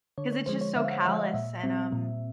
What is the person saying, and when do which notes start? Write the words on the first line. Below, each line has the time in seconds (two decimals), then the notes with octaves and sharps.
'cause it's just so callous and, um,
0.18 D3 C#5
0.33 C#5
0.46 F3 G#3 C5
0.61 C#5
0.76 D3 E5
0.84 F5
0.91 F#5
1.05 F3 G#3 F#5
1.20 D#5
1.34 A#2 E5
1.63 G3 C4
1.92 A#2